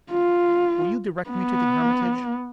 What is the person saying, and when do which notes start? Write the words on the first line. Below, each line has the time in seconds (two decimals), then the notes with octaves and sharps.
'Will you direct me to the Hermitage?
0.12 F4
1.30 B3